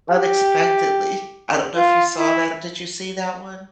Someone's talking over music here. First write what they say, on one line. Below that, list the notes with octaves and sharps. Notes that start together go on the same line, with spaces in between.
Unexpectedly. I don't know if you saw that did you see that one?
G4
F4
E4